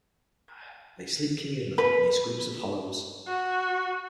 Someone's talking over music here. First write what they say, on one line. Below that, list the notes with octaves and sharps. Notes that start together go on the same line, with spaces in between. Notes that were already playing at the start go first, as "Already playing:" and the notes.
They sleep communally in these groups of hollows.
B4
F#4